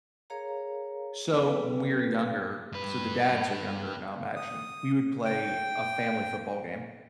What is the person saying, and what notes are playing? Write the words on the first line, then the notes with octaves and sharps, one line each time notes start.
So when we were younger so the dads are younger now, imagine, we would play a family football game
G#4 A#4 C#5 F5 A#5
F#3 B3 C#4 A4 B4 G5
G2 B4
D#6
G5